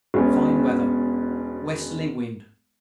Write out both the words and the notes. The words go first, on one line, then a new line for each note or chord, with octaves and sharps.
Fine weather: westerly wind.
E1 B2 C#4